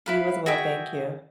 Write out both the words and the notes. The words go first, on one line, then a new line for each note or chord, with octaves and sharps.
You as well, thank you.
E4 B4 F5
F#4 G#4 E5 G5